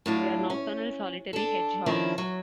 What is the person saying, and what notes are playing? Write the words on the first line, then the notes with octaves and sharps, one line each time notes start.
They are nocturnal solitary hedgehogs.
A2 F#3 D4 F4
C#4
D4 A4
D#3 F3 C#4 D4 E4
F#3